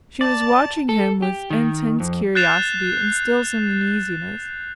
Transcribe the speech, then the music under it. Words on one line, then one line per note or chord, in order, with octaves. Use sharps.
She was watching him with intense curiosity and still some uneasiness.
D5 A5
A4
G4
D#3
F2
F#6 G6 A6 C7 E7 F7